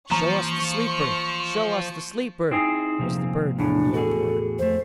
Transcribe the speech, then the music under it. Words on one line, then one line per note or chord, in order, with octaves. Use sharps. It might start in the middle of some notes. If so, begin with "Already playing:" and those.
"Show us the Sleeper, show us the Sleeper!" was the burden of the uproar.
E3 F3 A#3 A#5 C#6
C4 D#4 E4 G#4
C3 F3 A#3
E2 A2 D4
F#4 G#4 A4
F2 A3 C5